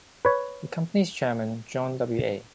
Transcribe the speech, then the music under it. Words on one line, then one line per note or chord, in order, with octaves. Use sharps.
The company's chairman, John W. A.
B4 C#5